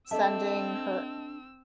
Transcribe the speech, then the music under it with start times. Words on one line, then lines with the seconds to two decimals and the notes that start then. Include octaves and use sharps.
sending her
0.11 C4 D4 A4 D#5 E5 A5 E6